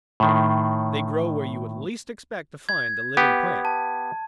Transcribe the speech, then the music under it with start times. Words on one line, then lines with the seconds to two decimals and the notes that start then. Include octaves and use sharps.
They grow where you would least expect to find a living plant.
0.20 A2 D#3
2.69 G#6
3.17 B3 G4
3.65 A5